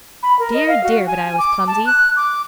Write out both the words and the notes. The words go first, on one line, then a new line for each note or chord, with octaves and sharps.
Dear, dear, but I was clumsy!
B5
A#4
D#5
F5
F#4
G#5
D6
A5
F#6
D6